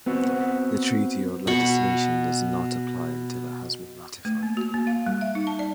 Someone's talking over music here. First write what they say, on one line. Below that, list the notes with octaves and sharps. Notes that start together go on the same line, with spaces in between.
The treaty or legislation does not apply until it has been ratified.
B3 C4 F#4
B2 B5 C#6
A3
A#3
F#4
A#3
F5
G3
E5
D#4
A5
D5